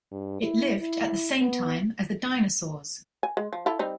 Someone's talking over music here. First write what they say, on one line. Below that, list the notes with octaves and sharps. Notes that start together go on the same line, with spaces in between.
It lived at the same time as the dinosaurs.
G2
E4
E4
B3
G#5
G#3
F3
E4 F4 A4
G3 C4 D#4